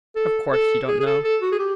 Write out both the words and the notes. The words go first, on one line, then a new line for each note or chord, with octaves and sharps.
"Of course you don't know."
A4
A4
G#4
G#4
A4
A4
F#4
G#4
G4